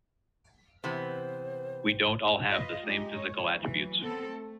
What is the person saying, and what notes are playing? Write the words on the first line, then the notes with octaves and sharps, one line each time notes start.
We don't all have the same physical attributes.
C3 E3 B3 C5
F4 B4 D#5
G#3 D#4 G4
C#5
E3 F#3
B3 C4 A4
A3